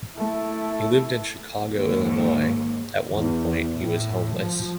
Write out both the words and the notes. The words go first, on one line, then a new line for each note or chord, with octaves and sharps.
He lived in Chicago, Illinois; at one point, he was homeless.
A3 E4
D#2 G#2
E2
A2
F3